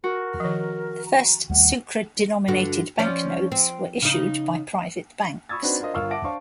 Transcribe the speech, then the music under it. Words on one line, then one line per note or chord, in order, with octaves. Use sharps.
The first sucre-denominated banknotes were issued by private banks.
F#4 A#4
D#3 F3
A#5
D#2 G3 A3 F#5
G2 D3 F#4
F3 C#4 D5
C4
C#3 D#4
B5 C#6 D#6 E6 G#6 A6
C4 D4 D#4 F#4 B4
D4 F4 A#4 C5 D#5
G1 F4 A#4 C#6 E6 F6
E5 F#5 A5 D6 A#6 D7
D4 C5 F5 A5 C#6